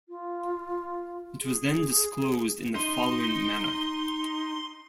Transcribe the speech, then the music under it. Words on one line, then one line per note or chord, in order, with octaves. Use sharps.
It was then disclosed in the following manner.
F4
G#4
D#4 C6 G7